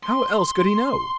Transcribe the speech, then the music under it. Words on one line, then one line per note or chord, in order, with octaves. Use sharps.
How else could he know?
C6